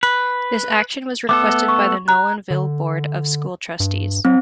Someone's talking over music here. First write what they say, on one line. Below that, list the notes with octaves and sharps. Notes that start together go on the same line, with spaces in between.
This action was requested by the Nolanville Board of School Trustees.
B4
A3 B3 A4 D6
C#6
A#5 F#6
D3
G2
F#3 C4